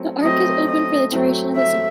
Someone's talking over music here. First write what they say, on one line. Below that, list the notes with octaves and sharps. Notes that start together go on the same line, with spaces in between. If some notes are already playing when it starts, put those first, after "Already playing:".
The ark is opened for the duration of the song.
Already playing: F#3 A3 C4
F#3 A3 C4 D#5
D#5
F#3 A3 C4
E5